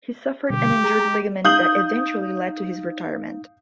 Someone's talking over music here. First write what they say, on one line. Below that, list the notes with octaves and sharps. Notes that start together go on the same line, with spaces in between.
He suffered an injured ligament that eventually led to his retirement.
B2 D3 G3 G4
G#4 A#5
D#4 F5 D#6 G6 F#7